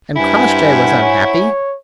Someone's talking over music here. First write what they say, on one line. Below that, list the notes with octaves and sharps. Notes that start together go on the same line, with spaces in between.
And Crossjay was unhappy?
G2 E4 C5 F#5 G#5
C#5